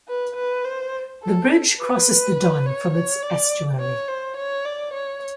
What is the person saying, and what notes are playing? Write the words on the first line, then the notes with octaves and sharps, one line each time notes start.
The bridge crosses the Don from its estuary.
B4
B4
C5
A4
B4
C#5
C#5
D5
C#5
C5
C#5
D5
C#5